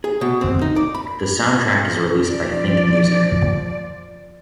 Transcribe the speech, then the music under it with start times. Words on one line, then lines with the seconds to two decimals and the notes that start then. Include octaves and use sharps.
The soundtrack is released by Think Music.
0.04 G#4
0.21 B2
0.41 C4
0.62 D#4
0.76 D5
0.95 B5
2.27 F3 D5